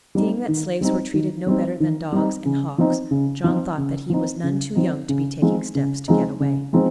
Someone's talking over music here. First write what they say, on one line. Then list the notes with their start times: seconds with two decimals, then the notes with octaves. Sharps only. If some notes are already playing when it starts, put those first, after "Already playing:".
Seeing that slaves were treated no better than dogs and hogs, John thought that he was none too young to be taking steps to get away.
0.15 G3 C4 D#4
0.48 D#3
0.81 G3 C4 D#4
1.14 D#3
1.47 G3 C4 D#4
1.80 D#3
2.12 G3 C4 D#4
2.45 C#3
2.78 F3 C4 D#4
3.11 C#3
3.44 F3 C4 D#4
3.78 C#3
4.10 F3 C4 D#4
4.44 C#3
4.75 F3 C4 D#4
5.09 C#3
5.42 F3 G#3 C4 D#4
5.75 C#3
6.08 F3 G#3 C4 D#4
6.40 C#3
6.73 F3 G#3 C4 D#4